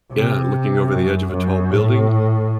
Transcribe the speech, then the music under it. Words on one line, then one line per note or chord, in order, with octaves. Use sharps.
Yeah, looking over the edge of a tall building.
C3
F#2
F#2
A2